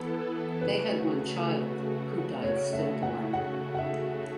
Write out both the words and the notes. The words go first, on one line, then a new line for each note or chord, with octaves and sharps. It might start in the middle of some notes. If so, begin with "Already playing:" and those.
They had one child, who died stillborn.
Already playing: E3 B3 E4 A4
C#3 A3 F#4 B4
C#3 A3 F#4 C#5
E5
F#5
F#5
F#5
E5